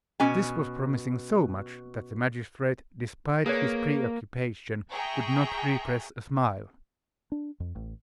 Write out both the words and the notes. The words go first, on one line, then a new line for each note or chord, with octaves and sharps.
This was promising so much that the magistrate, despite his preoccupation, could not repress a smile.
B2 C#4 G#5
A#3 G#4 B4 C#5
G#4 E5 G5 A#5 C#6
D4
F2
A1